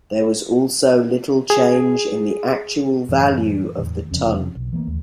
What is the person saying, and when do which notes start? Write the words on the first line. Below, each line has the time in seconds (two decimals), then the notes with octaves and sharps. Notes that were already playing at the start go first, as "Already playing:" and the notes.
There was also little change in the actual value of the tun.
1.50 G#4
3.09 F#2 A2 E3
3.78 E2 A2 D#3
4.11 F1 F2 C#3 C#4
4.56 B1
4.73 E3 A3 A#3
4.87 D#2